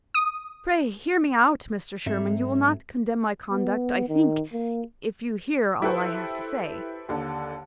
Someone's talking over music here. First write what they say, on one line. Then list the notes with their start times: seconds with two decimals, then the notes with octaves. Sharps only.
"Pray hear me out, Mr. Sherwin: you will not condemn my conduct, I think, if you hear all I have to say."
0.14 D#6
2.06 G#2 F#3 C4 A4 E5
3.51 B3
4.08 D#3
4.53 A#3
5.82 E4 G4 A4 B4 C5
7.09 D#2 D3